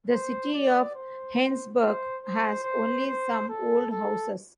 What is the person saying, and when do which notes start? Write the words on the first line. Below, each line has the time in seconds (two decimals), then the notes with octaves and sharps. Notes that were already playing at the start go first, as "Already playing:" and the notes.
The city of Heinsberg has only some old houses.
0.11 C5
0.53 D5
0.95 C5
1.79 C5
2.22 C5
2.64 C5
3.06 C5
3.49 A4
3.91 A4